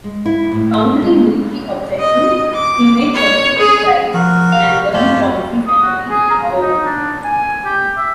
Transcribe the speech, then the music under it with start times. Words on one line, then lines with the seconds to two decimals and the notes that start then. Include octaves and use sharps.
Countering military objections, he made political rights an early policy centerpiece, however.
0.04 G#3
0.26 E4
0.52 A2
1.02 G#3
1.99 D#5
2.54 D6
3.14 C#5
3.59 G#4
4.14 F3 F#4 A#4
4.52 G4 F5
4.93 F#2 A3 F4 G4 A4 C#5
5.17 F#2
5.67 D#6
5.82 F#4
6.10 G#4
6.30 A#5
6.60 D#4
6.85 D4
7.24 G#5
7.65 G4
7.97 E5